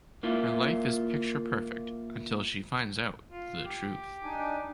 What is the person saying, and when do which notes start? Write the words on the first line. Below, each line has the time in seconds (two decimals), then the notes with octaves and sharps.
Her life is picture perfect until she finds out the truth.
0.23 A#3 E4 F4
3.31 F4
3.65 G4
4.23 D4 D#4 G#5